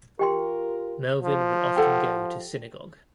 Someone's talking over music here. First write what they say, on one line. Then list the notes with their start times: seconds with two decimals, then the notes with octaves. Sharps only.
Melvin would often go to synagogue.
0.19 F4 G4 A#4 G5 C6
1.23 F3
1.76 G4 A4 F#5